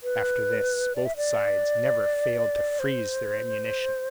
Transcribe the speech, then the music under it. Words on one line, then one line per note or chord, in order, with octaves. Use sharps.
After this, both sides never failed to freeze their ammunition.
B4
D5
E5
D5
C5